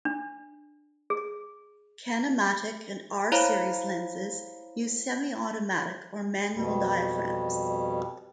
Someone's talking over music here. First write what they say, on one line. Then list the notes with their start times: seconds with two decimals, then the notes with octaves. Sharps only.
Canomatic and R-series lenses use semi-automatic or manual diaphragms.
0.05 D4
1.10 G#4
3.32 E4 C5 C#5 F5 A#5 B5
6.53 F2 B2 G3